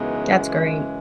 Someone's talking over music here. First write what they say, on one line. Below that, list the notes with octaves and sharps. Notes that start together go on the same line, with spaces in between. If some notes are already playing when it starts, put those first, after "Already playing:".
That's great.
Already playing: F#2 C#3 E3 G#3 B3 D#4